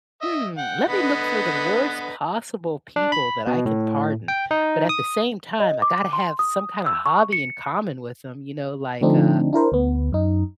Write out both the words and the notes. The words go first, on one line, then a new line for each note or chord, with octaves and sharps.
"Hmm, let me look for the worst possible people that I can pardon, but at the same time, I gotta have some kinda hobby in common with them," you know, like, "Uh
D#5 E5
F#5 G5
D3 B3 B4 D#5 F#5
D4
B5
B2
A2
G5
D#4
D#6
D#5
D6
C6
D#6
E6
C#6
C#7
D3 F3 A3 C4 D4 D#4
D4 E4 A#4 C5
D2 B3
F#2 D#4